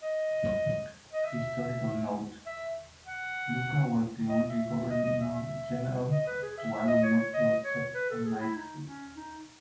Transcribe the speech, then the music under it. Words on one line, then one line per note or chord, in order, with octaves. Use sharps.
Historical note: Luka was the only Governor-General of Tuvalu not to accept a Knighthood.
D#5
D#5
E5
E5
F#5
D#5
E5
E5
D#5
D#5
E5
E5
D#5
B4
G#4
E5
E5
D#5
C#5
C#5
D#5
C#5
B4
A4
G#4
E4
D#4
C#4
D#4